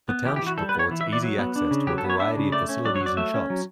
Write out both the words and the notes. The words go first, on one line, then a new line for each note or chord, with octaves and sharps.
The township affords easy access to a variety of facilities and shops.
B3
E3 G4
G4
E3 F#4
G3 A4
B4
B3
C#5
E3
E5
E3
D5
F#3
B3
D4
C#3
F#3 G4
A4
B3
C#5
D4 E5
C#3
A3 D5
C#4
F#3 D5
C#5
F#3
D5
A3 E5
C#4
F#3